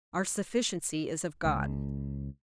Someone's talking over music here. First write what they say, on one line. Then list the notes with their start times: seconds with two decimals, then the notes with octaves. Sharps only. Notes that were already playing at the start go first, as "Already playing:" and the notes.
"Our sufficiency is of God!"
1.45 C#2